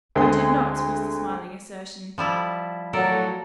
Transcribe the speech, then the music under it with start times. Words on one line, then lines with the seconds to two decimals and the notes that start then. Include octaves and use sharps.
"I did not," was the smiling assertion.
0.15 D2 G#3 A3 C4 G#4 C6
2.18 F3 G3 E4
2.93 A2 F#3 A4 A#4 D5